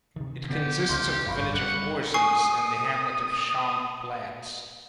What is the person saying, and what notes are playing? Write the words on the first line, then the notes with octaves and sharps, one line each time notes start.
It consists of the village of Orzens and the hamlet of Champs Plats.
C3 D#3
D3 B3 G4
C#2 C6 F6 G6
G#1 G2 F5 B5 C#6
F#3 G3 F#5
G#5 C#6 D#6 C7